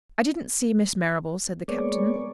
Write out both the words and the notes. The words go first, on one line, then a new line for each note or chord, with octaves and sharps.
"I didn't see Miss Marrable," said the Captain.
G#3 A#3 B3 C#5 D5